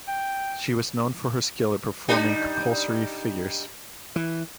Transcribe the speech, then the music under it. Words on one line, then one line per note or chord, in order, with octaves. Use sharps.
She was known for her skill at performing compulsory figures.
G5
G3 D4 D#4
E3